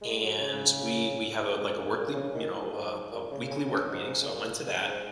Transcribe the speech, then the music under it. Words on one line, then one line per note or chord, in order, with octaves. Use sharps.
and we we have a like a workly m you know, a a weekly work meeting, so I went to that.
G#3
F#3
C#3
G#2
A#2
A#2
C#3
D#3
A#2
G#2
A#2
C#3
C#3
G#2
C#3
A#2
C#3
G#2